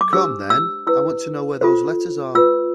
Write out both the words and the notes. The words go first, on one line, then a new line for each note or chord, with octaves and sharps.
Come, then, I want to know where those letters are.
D6
D4 G4 C5 E6
E6
E4 B4 E6
F4 A4 C5
F4 B4 E6